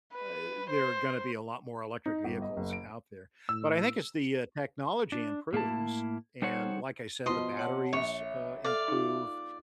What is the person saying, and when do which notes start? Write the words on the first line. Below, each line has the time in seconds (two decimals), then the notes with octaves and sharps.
uh, there are gonna be a lot more electric vehicles out there. But I think as the, uh, technology improves, and like I said, the batteries, uh, improve,
0.14 B4
0.70 C5
2.06 D#4
2.24 G1
2.42 D#5
2.57 F#1
2.73 D7
3.49 A2 E6
5.12 D4
5.53 A2 A#3 E4 A5
6.42 G3 D#4 A4 C5 C#5 F#5
7.26 B2 F3 D#5 C6
7.57 C#5 F#5 A5
7.93 A#1 C#5 E5
8.64 A4 D5 F5
8.88 D#4 F4